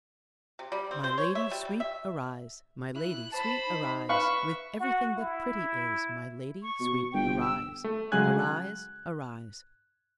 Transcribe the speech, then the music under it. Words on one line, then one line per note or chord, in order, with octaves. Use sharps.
"My lady sweet, arise! My lady sweet, arise With everything that pretty is, My lady sweet, arise; Arise, arise."
C3
G3
C4
C5
C#5
E5
G3
G3
E5
E4 F#6
C5 A5 B5
D#4
B4 E5 F5 B5 C#6
F#4
E4
C#6
B2
G1 G5
E6
A3
C#3 F#3 G#3 G#5 F#6 G#6
F#6